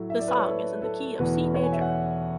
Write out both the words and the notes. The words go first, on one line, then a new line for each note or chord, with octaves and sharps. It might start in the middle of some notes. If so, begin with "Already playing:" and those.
The song is in the key of C major.
Already playing: A2 F#3 A3
E5
D5
B4
C#5
A4
A4
E2 B2 A3 B4
C#5
G#5
E5
F#5